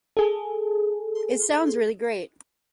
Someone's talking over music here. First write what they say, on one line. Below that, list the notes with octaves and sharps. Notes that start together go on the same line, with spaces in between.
It sounds really great.
G#4 A4